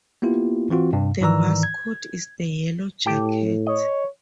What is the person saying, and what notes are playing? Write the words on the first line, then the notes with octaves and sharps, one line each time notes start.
The mascot is the yellow jacket.
A#3 B3 E4 F4 G4
E3 C4 F4 F#4
G2 C3
G#2 D#3 E3 D5 A#5 E6
G#6
A2 G4 G5 A5
C#5 D#5